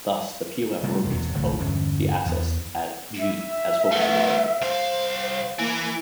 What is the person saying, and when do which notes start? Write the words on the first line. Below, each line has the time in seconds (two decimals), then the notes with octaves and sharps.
Thus the PoF rotates about the axis at G as focus is adjusted.
0.83 C3 G3 A3 A#3
1.06 E1 E2 C3
1.34 G#1 C#2 A3
1.59 G1 E2 D3 C#4
2.26 E2 B3
3.19 E5
3.91 A3 B3
4.61 C2 C5 F5
5.59 E3 A#3